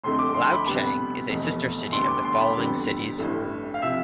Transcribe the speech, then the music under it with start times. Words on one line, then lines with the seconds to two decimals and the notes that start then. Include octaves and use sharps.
Liaocheng is a sister city of the following cities.
0.04 F1 F2 D3 A3 C6
0.19 D6
0.34 C6
0.51 B5
0.66 D2 C3 G3 B3 B5
1.30 F1 E2 B2 A3
1.93 D2 D3 G3 B3 C6
2.08 D6
2.25 C6
2.40 B5
2.55 F2 D3 G3 B3
3.18 A1 G2 E3 A3
3.74 F5
3.82 C3 F3 E5